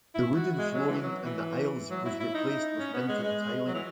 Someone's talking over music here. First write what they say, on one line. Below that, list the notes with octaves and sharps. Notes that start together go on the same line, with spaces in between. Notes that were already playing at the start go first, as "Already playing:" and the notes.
The wooden flooring in the aisles was replaced with Minton tiling.
E4
F#4
G#3
F#3
E3
F#3
E3
F#3
E4
E4
D#4
C#4
B3
G#3
G#3
F#3
E3